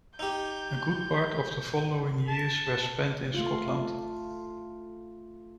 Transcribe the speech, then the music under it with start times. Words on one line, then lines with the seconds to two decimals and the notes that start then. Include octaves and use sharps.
A good part of the following years were spent in Scotland.
0.19 D#4 G4 G6
2.28 A5
3.34 A3 F4